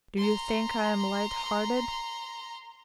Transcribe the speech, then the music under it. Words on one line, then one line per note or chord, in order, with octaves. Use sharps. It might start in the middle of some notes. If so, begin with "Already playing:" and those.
Do you think I'm light-hearted?
A#5 C6